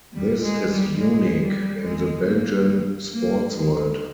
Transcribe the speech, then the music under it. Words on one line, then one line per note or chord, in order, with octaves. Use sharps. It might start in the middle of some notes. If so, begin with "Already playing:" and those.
This is unique in the Belgian Sports World.
G3
G#3
G3
G#3
G3
G#3
A#3
A#3
G#3